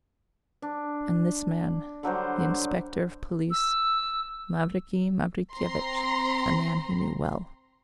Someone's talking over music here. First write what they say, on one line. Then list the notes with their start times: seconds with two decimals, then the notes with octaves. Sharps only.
And this man--the inspector of police, Mavriky Mavrikyevitch, a man he knew well.
0.62 D4
2.03 D3 F#3 G3 C5
3.51 E6
5.54 C4 A#5 C6